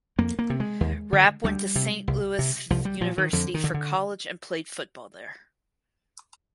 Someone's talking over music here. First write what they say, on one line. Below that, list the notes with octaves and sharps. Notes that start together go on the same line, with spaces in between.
Rapp went to Saint Louis University for college and played football there.
F2 A#3
A#3
C3
G#3
D#2
D3
D2 G3
C3
C2
C3
C2 F3
G3
A#2 F3
D#3
F2 D3
D#3
D3
D3